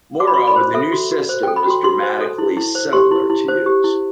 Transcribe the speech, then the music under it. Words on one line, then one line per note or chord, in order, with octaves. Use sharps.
Moreover, the new system was dramatically simpler to use.
F#4 D6
B5
C6
F#4
B5
C5
A4 E5
F#4
F#4
C5
G5
A4
B5
F#4 C6
F#4 C6
C5
A4
E4
E4
C5
G4 C6
E4
E4
C5
G4
E4